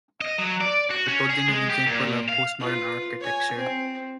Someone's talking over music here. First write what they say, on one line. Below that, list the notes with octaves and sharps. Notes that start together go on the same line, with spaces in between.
The building is an example of Postmodern architecture.
D#5
F#3
D5
F#4
C#4
G#4
G#3
G4
A#2
F5
F4 B4
C#5 G#5
C4